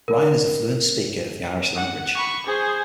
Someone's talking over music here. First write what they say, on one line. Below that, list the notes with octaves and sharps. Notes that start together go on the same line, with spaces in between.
Ryan is a fluent speaker of the Irish language.
A#4
F#5
B5 C#6
G#4 C5